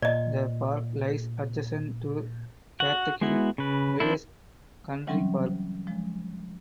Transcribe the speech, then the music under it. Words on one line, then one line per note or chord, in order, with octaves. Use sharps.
The park lies adjacent to Cathkin Braes Country Park.
A#2 D5 D#5
F#4 F#5
G#3 B3 E4 F#4
C#3 B4
F3 C4 D4 E4
C#3 E3 F#3 G3 C4 C#4
F3 G#3